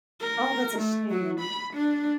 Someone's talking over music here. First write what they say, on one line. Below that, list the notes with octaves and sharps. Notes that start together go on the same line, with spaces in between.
Oh, that's a shame.
A#4
A3
F#3
B5
D4